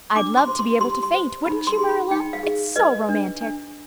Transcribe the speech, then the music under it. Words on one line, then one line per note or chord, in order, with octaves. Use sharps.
I'd love to be able to faint, wouldn't you, Marilla? It's so romantic.
D4 D6
C6
C5
C6
G4 C6
C6
C5
D#4 B5
C6
G#4
B5
D#4 G5
F5
G#4
B4 D#5
D4
D4